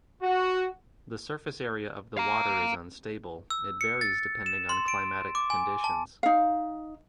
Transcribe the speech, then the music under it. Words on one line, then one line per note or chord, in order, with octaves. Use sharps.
The surface area of the water is unstable, it varies depending on climatic conditions.
F#4
F5 A#5
E6
C#7
A6
E7
C6
D7
D6
G#5
A5
D#4 F5